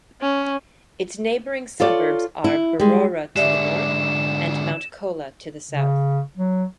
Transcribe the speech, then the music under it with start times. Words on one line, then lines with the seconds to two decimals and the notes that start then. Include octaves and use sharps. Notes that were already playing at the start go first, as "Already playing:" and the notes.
Its neighbouring suburbs are Berowra to the north, and Mount Colah to the south.
0.22 C#4
1.80 F4 A4 C#5 D5
2.44 E4
2.80 G3 G#3
3.36 G#2 D3 G4 D5 E5 E7
5.71 C#3
6.37 F#3